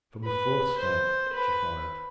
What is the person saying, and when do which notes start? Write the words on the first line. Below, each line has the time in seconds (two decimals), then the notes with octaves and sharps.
From the fourth step she fired.
0.24 B4
0.78 C5
1.33 B4